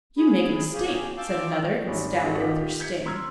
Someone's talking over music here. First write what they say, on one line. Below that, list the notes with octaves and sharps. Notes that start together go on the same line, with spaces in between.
"You make a mistake," said another, and stabbed her with her sting.
G#4 B5
A#3 C#4 G4 G#4
E5 F5 G5 A5 C6 D6
G#1 G3 C#4 F#4
G#1 C#3 E4 F#4 A4 F#5
D#3 F4 G4 D#5 B6
G6 G#6 B6 C#7
A#5 C6 E6 F6 G#6